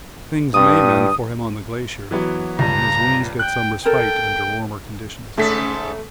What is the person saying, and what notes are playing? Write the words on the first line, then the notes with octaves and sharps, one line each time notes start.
Things may mend for him on the glacier, and his wounds get some respite under warmer conditions.
G2 D#6
E3 F#3 B3
C#2 G2 A#5
G5 F#6 G6
A4 A#4 G5
G#2 C#3 A3 A4 B6